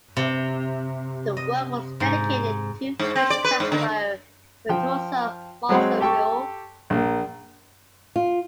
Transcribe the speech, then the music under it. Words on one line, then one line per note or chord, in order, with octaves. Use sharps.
The work was dedicated to French saxophone virtuoso, Marcel Mule.
C3
D#5
G#2
G#2
C4
D5
B4
G#2
D3
F3 G5
F#3 G#3 C4 F#5
G4 A4 G5 A5 C#6
A#1 A#3
F4